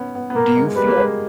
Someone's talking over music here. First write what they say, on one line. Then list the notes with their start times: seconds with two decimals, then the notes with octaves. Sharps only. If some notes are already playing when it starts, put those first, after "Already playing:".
do you feel
Already playing: B3 C#4
0.15 B3
0.30 B3
0.35 A#3 A#4
0.56 G#3
0.67 G#3
0.76 G3 B4
0.87 A#3
0.97 G#3